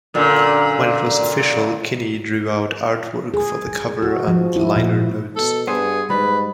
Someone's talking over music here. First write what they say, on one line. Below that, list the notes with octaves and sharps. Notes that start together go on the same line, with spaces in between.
When it was official, Kinney drew out artwork for the cover and liner notes.
F#2 A#2 D3
G#4
F#4
F3
E4
A#2
B2 A4
G2 B3 G#4 C5
G#2 G3 B4 B5